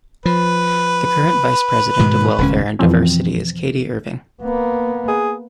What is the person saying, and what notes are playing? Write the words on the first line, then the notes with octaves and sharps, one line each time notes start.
The current Vice President of Welfare and Diversity is Katie Irving.
F3 B4
G#2 B2 D#3
D#1 C#2 C#4
F2 B2 E3 F3 C4
A#3 B3
G#4